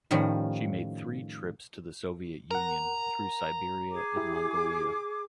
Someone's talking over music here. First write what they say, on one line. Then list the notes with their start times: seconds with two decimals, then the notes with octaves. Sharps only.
She made three trips to the Soviet Union, through Siberia and Mongolia.
0.11 A2 D#3 F3 G3 C#4
2.51 A#4 F#5 A#5
3.92 G#4 D6
4.16 E4 G4